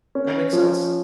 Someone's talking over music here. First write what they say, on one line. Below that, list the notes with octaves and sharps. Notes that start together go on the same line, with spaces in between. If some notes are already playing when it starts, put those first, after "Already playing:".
that makes sense?
C#4
F3